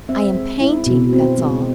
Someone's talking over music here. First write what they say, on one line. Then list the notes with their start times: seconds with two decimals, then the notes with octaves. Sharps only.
I am painting; that's all.'
0.09 C4 E5
0.35 G#3
0.61 E4
0.86 B2
1.13 C4
1.39 G#3